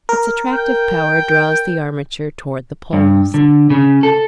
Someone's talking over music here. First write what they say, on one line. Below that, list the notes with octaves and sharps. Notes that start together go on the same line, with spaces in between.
Its attractive power draws the armature toward the poles.
A#4
G5
G2
D3
C#3
A4